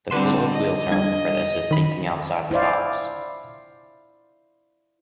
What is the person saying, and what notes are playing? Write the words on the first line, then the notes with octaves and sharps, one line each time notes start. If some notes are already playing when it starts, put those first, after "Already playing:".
The colloquial term for this is thinking outside the box.
D3 G3 C4 B4 C6 E7
D#5
G3 D4 G#6
D#3 B5
E4 C5 D5 F5